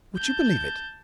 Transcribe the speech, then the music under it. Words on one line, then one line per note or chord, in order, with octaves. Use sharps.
Would you believe it?
A5 G6